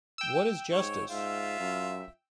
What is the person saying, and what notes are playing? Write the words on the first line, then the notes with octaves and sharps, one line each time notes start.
What is justice?
G5 E6
G#2 C#5
G#2 F4 E5
F#2